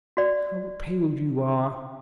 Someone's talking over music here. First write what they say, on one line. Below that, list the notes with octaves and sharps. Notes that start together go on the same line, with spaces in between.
How pale you are!'
F#4 D5